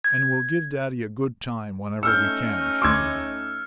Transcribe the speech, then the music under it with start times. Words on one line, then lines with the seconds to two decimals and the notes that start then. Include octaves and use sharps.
"And we'll give daddy a good time whenever we can?" she pleaded.
0.04 G#6
2.03 A3 C#4 D#4 E6 F6 G6 C#7
2.82 D2 C6 D6 E6 G#6